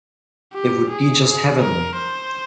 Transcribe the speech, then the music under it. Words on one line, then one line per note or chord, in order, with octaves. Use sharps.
It would be just heavenly!
G4
G#4
G#4
A#4
C5